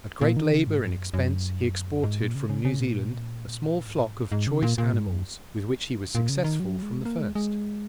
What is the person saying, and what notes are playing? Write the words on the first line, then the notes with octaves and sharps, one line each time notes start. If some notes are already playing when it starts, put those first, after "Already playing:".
At great labour and expense he exported from New Zealand a small flock of choice animals, with which he was successful from the first.
A#2
D#3
C#3
G#2
F#2
F#2
G#2
A#2
C#3
C#3
C#3
A#2
G#2
G#2
C#3
A#2
A#2
G#2
F#2
A#2
C#3
D#3
F#3
G#3
A#3
G#3
G#3